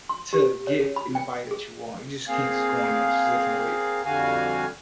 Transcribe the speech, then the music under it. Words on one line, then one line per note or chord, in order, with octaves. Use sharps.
to get in the body that you want. You just can't just go in there, just lifting weights.
C6
G4
C#5
B5
G5
G#4
A#3 C4 G#4 F5
F2 D3 G3 F#4 F5 G#5